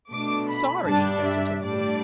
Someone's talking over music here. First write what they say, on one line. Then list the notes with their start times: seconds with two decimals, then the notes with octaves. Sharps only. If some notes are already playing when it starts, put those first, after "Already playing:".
"Sorry!" said Sir Timothy.
0.11 B2 A3 D4 D6
0.49 B5
0.86 G2 G3 D4 A5
1.25 E5
1.62 A2 G3 D4 D5